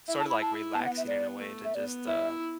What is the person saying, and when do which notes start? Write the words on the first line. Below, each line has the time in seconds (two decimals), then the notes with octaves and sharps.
sorta, like relaxing in a way to just, uh
0.08 E4 E5
0.19 A5
0.30 B5
0.42 A5
0.74 B3 A5
0.86 F#5
0.97 E5
1.07 D5
1.41 A3
1.65 E5
1.75 B3 D5
2.07 E4 E5